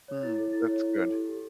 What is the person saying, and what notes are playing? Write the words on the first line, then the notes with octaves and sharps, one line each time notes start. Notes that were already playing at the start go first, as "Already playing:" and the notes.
Mm, that's good.
C#5
E4 A6
A4
E4 A6
C#5
E4
A4
G4
G4